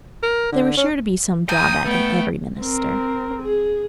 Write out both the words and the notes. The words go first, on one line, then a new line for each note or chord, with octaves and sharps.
There was sure to be some drawback in every minister.
A#4
D3
C#4
G5 A5 A#5 D#6 G6
A3 B3 G5
C4 A#4
G#4